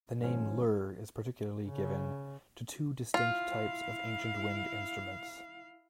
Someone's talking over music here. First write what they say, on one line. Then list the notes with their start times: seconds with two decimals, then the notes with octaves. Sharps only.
The name lur is particularly given to two distinct types of ancient wind instruments.
0.21 G#1 G#2 F3 C#4
1.68 C#3
3.14 E4 F4 F5